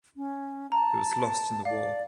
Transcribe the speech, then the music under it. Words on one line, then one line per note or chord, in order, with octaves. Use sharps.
It was lost in the war.
C#4
A5 A#5
D5 F5